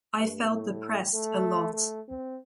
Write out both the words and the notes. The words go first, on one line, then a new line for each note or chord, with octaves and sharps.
I felt depressed a lot.
G2
A2
A3
A3
C4